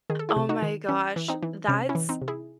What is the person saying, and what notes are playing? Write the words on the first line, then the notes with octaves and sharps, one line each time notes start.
Oh my gosh, that's
D#3 G#4
A4
E4 G#4
C3
D#4 F#4
D#3
E3 C#4
E3
C4 D#4
E3
C3 C#4
C#4 E4
E3
C4 D#4
C3
E4 G#4